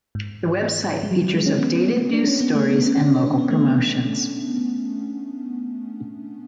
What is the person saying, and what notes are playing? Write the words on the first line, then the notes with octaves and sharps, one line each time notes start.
The website features updated news stories and local promotions.
G#2
G#3
F#3
F#3
G#3
C#4
B3
D4
C#4
B3
A3
B3
C#4
C#4
D4
C#4
D4
B3
A3